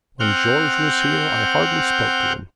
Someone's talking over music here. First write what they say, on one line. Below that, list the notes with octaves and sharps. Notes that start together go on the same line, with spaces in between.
When George was here, I hardly spoke to him.
C4 F#5 F6 G6